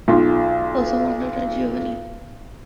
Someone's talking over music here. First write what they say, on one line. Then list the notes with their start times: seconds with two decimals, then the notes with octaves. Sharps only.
Also one daughter, Giovani.
0.08 B1 F4